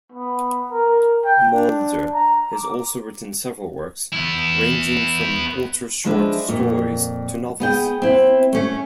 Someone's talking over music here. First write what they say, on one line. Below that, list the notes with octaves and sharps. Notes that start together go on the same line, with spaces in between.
Mulder has also written several works, ranging from ultra-short stories to novels.
B3
A#4
G5
D4
A#5
D6
B3 E4
F3 G#3 D4 B4 E5
F2 A#2
B3 G#4 G5
C4 E4
A3 C#4